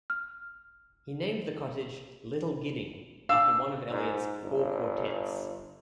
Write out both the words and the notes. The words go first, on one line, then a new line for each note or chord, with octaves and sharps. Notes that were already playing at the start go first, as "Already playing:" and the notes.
He named the cottage "Little Gidding" after one of Eliot's "Four Quartets".
F6
D4 F5 E6
G#2
G1